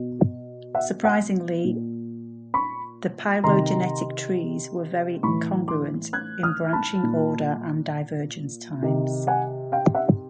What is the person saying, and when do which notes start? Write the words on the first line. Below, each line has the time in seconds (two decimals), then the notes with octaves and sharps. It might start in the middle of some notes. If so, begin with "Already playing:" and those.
Surprisingly, the phylogenetic trees were very congruent in branching order and divergence times.
Already playing: B2
0.75 E5 F#5
1.05 F#5 G#5
1.65 A#2
2.54 B5 C#6
3.44 C3 D#3 A#5 C6
5.23 A2 E3 B5 C#6
5.68 C6 D6
6.13 F#6 G#6
6.43 D#6 F6
6.73 A5 B5
7.03 A#2
8.83 C3 D#3
9.27 F#5 G#5
9.72 F5 G5
9.95 E5 F#5